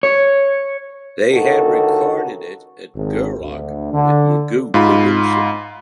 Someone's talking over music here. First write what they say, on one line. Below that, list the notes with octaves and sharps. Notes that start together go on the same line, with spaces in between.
They had recorded it at Gerlog with Magoo producing.
C#5
C#2 D3 D#3 F#4 A4
G#1
D2
D3
G#2 F4 B5